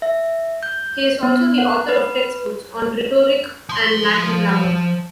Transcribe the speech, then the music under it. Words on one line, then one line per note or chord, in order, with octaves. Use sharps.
He is also the author of textbooks on rhetoric and Latin grammar.
E5
G6
B3
F#5
B4
F3 C6